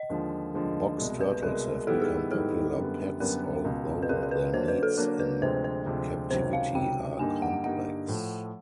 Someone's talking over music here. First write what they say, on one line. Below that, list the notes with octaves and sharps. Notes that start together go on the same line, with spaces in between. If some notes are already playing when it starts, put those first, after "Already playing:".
Box turtles have become popular pets, although their needs in captivity are complex.
Already playing: D#5
D#2 D3 F3 G#3
D#2 D3 F3 G#3
C2 B2 G#3
B4
C2 B2 G#3 A#4
G#2 D#3 G3 B3 E4 A4
G#4
G#2 D#3 G3 B3 E4 A4
F#2 D3 G3 B3
F#2 D3 G3 B3 A#4
C#2 B2 G#3
B4
C#2 B2 G#3 A#4
A#4
B4
D3 F#3 A#3 D4 C5
B4
A4
D3 F#3 A#3 D4 A#4
B4
D2 C3 F3 G#3 C5
C5
D2 C3 F3 G#3
C#2 C3 D#3 F#3 C5
F5
C#2 C3 D#3 F#3 G5
G2 D3 G3 A#3 D#4 G#5
F#5
G2 D3 G3 A#3 D#4 F#5
A2 F3 A3